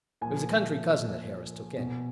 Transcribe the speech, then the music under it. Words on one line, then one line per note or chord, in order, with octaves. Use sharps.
It was a country cousin that Harris took in.
A#2 F3 G#5
B2